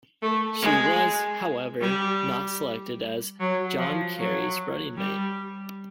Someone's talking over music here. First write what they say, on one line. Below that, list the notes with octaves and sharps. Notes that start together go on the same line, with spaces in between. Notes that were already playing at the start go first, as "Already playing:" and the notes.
She was, however, not selected as John Kerry's running mate.
A3
G#3
G3
F#3
F3
F#3
G3